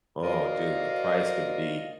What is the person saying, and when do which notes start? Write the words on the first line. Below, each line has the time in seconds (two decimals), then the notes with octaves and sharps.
Oh, dude, the price can be
0.22 F#4 A#4 C5 D5 D#5 F5